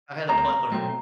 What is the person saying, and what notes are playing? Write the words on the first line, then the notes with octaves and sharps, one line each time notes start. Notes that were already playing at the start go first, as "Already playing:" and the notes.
I had a plethora.
D2 D3 G3 C4 A#5
B2 F#3 A3 C4